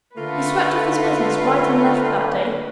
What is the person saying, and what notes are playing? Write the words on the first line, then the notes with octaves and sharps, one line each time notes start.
He swept off his business right and left that day.
D3 A3 A#3 F4 B4